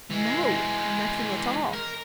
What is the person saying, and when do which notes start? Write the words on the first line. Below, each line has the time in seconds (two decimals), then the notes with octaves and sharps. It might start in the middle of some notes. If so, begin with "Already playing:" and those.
"No, nothing at all."
0.11 E3 G#3
1.73 A#4